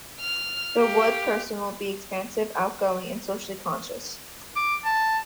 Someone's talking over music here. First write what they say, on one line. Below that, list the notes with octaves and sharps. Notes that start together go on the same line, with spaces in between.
The Wood person will be expansive, outgoing and socially conscious.
F6
G4 F5
D6
A5